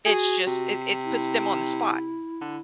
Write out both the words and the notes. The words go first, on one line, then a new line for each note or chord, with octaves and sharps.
it's just it it puts them on the spot.
F#4 G#4
C3
E4
D3